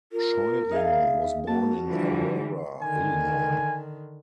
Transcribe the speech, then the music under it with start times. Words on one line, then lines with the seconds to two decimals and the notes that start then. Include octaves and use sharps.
Scheuring was born in Aurora, Illinois.
0.12 F4 A#4
0.71 D#4 G#4 E5 F5
1.47 A#3 F#4 A5
1.85 D3 E3 F3 G3
2.82 D3 D#3 G#5